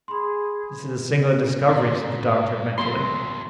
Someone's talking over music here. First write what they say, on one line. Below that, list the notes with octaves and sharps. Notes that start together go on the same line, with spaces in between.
"This is a singular discovery!" said the doctor, mentally.
G#4 B5 C6
G#2
E2 F#3 C6